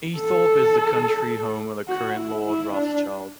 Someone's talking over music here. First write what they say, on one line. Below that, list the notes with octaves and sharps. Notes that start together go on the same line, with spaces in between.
Eythrope is the country home of the current Lord Rothschild.
A4
F#4
E4
E4
D4